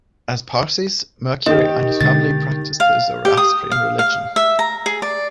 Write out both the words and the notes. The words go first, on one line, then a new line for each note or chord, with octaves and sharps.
As Parsis, Mercury and his family practised the Zoroastrian religion.
D#3 G4 D#5
B2 D3 G#3 A6
F5
G4
D#6
F5
F5
E5
A#5
G#4
D5